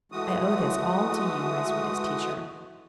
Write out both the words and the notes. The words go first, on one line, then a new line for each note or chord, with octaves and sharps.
I owe this all to you, my sweetest teacher.
E3 G#3 A3 F#4 D#6